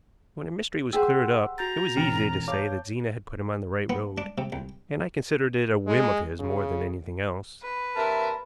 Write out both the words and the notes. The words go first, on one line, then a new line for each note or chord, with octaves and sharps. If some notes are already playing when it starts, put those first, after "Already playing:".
When a mystery was cleared up, it was easy to say that Zena had put him on the right road, and I considered it a whim of his more than anything else.
G4 G#4 C5 F#5 E6
F#4 A#5 G6 A6
E1 C4 C#4 G5 F6 A6
C#5 F5 A5 D6 G6
B3
D4
C3
C2
G#3
C#3
B4
G2 C4 A#4 E5 A5